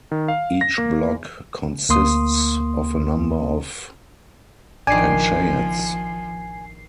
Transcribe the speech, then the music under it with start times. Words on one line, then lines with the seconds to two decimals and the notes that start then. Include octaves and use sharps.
Each block consists of a number of panchayats.
0.11 D#3
0.28 F5
0.61 A#6
0.78 A#3
1.89 D2 A#3 C6 D#6
4.87 A1 D#3 F3 D4 G#5 C7